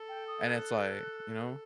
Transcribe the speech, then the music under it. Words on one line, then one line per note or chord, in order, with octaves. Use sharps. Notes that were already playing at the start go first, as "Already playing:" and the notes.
And it's like, you know?
Already playing: A4
G5
D#6
F#6